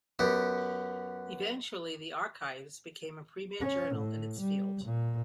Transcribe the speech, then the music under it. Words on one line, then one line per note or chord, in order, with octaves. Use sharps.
Eventually, the "Archives" became a premier journal in its field.
F#2 B3 G4
C#4
A2
G3
A#2